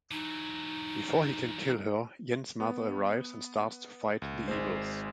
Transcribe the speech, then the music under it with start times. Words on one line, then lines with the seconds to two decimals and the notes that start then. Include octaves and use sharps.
Before he can kill her, Yen's mother arrives and starts to fight the evils.
0.11 E3 F#3 D#4
2.60 B3
4.22 C#2
4.48 G#1 G#3 C5